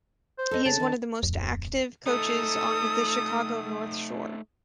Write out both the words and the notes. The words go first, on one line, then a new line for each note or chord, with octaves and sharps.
He is one of the most active coaches on the Chicago North Shore.
C5
A4 D#5
C#3 A5
D#3 D4
D1 F2
A3 D#4 A4 D#6